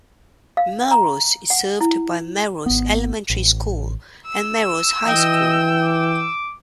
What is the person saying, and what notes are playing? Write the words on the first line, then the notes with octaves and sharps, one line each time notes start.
Melrose is served by Melrose Elementary School and Melrose High School.
F5
A#5
F#5
E4
G#1 B3
A1
E6
E3 D#5 G5
D6